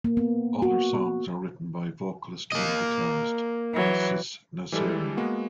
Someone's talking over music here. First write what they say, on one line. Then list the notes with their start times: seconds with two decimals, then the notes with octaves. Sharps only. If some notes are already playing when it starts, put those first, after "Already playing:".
All their songs are written by vocalist and guitarist, Asis Nasseri.
0.04 A#3
0.17 B3
0.62 F#4
2.52 A#3 D#5
3.73 E3 F#3
4.72 E3 G3 G#3 E4 A4
5.17 G#3 A#3 B3 F#4